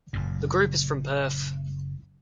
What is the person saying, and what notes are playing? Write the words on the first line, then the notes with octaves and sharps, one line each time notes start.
The group is from Perth.
F#1 F#2 A#2